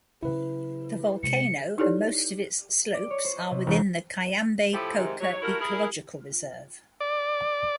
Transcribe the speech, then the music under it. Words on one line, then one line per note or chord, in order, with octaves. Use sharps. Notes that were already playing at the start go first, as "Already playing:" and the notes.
The volcano and most of its slopes are within the Cayambe Coca Ecological Reserve.
C#3 F#3 E4 B4
C3 G#3 C#7
D#4 E4 G4 A4 C#5 D5
D5
C#5
C5
D#5
C3
E1
A2 F3 E4 G4 A4 C5
G#2 C3 D#3
F#3 C#5
A3 E4 F#4 A#4
E4 G#4 A#4
D5